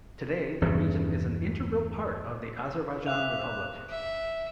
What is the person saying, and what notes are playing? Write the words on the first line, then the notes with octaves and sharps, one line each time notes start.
Today the region is an integral part of the Azerbaijan Republic.
E2 G2 C#3
C5 E5 F5 D6 F#6 F7
E5